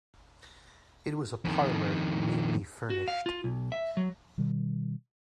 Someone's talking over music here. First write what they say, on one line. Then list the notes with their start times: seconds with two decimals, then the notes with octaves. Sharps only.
It was a parlour meanly furnished.
1.45 F2 D#3
2.90 F#4
3.08 F5
3.26 F4
3.44 B1
3.72 E5
3.97 F#3
4.38 B2 D#3 G3